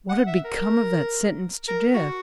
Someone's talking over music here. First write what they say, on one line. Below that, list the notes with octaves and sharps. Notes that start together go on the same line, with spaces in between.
What had become of that sentence to death?
F#5
E5
A#4
A#4
F#4